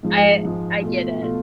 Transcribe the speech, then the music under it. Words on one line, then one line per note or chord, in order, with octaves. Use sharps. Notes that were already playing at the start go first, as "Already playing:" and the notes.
I I get it.
G#2 F3 G#3
G#2 F3 G#3
B2 A3 F4
B2 A3 F4